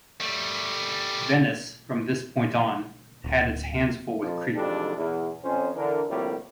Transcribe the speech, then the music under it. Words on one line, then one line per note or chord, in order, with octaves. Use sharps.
Venice, from this point on, had its hands full with Crete.
G3 A3
D1
F2 F3
F2 G#2 E3 G3 D4 A4
E2
F2 C#4 C5
D3 E3 A#4
D2 A2 C3 F3 G3 A#3